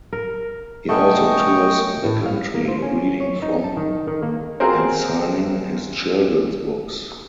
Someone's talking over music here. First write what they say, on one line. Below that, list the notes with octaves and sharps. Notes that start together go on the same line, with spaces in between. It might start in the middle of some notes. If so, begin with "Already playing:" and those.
He also tours the country, reading from and signing his children's books.
A#4
A3 B3 C#4 D#5 G5 C#6
A2
F5
A#3
C5
C#4
C#5
D#4
A5
D#3
D#3
A#3
C4 F4 F#4 G#4 A#4 C5